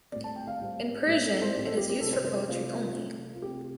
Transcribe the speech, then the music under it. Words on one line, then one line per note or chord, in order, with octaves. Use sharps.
In Persian it is used for poetry only.
A2 G3 C4 D5
A5
G5
F5
A2 G3 C4
A2 G3 C4
A4
C5
A2 G3 C4 D5
A4
G4
G4
C3 A3 C4 A4
C5
C5
G4
C3 A3 C4 F4
C3 A3 C4
F4
C3 A3 C4 G4